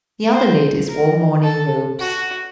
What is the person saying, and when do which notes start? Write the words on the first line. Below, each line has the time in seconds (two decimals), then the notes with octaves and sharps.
The other ladies wore morning robes.
0.33 C5
0.89 A#4
1.44 A4
2.00 F#4